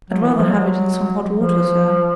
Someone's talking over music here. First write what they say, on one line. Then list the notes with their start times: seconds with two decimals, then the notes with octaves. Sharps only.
"I'd rather have it in some hot water, sir."
0.10 F#3
0.23 E3
0.38 F3
0.51 F#3
1.33 F3